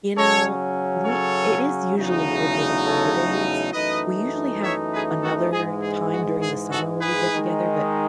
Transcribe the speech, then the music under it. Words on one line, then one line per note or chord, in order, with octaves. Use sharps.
You know, we it is usually over the holidays. We usually have another time during the summer where we get together, but
C#3 F#3 C#4 A4 C#5
A4 C#5
E2 C#3 F#3 A3 D#4
A4 C#5
F#2 E3 A3 D#4 B4 D#5
C#5 E5
G#4 B4
F#4 A4
G#2 E3 G#3 G#4
G#4
F#4
G#4
F#4 A4
G#4 B4
D#3 G#3 D#4